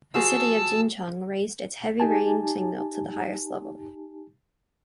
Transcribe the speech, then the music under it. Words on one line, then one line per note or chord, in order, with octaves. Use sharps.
The city of Jincheng raised its heavy rain signal to the highest level.
F3 F#4 G#4 A5 E6
D#4 G4 G#5 A5